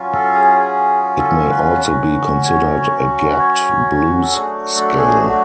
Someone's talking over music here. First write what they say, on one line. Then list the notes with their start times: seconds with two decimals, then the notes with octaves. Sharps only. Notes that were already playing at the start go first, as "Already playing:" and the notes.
It may also be considered a gapped blues scale.
Already playing: F#3 C#4 F4
0.14 A4
0.35 G#4
0.55 G#4
1.19 A4
1.50 B4
1.82 F#3 C#4 F#4
2.45 C#5
3.29 B4
3.39 C#5
4.22 A4
4.34 F#3 A3 D4 F#4 G#4
4.76 A4
4.91 A4
4.97 G#4
5.29 F#4